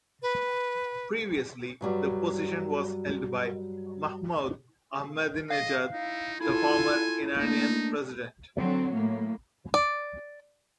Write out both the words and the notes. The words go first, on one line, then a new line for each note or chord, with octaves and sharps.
Previously, the position was held by Mahmoud Ahmadinejad, the former Iranian President.
B4
G2 F#3 G3
D#5 F5
D#4 E4
E4 F4 A4 G#5
A3 A#3 D4 D#4
D3 F#3 C4
A2 A#3
D5